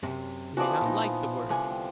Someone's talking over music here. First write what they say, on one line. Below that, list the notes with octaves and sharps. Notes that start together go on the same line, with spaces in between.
You may not like the word.
F#2 C3
E3 F3 B3 F#4 D5
A#2 D#4
C2 D3 G#5
G5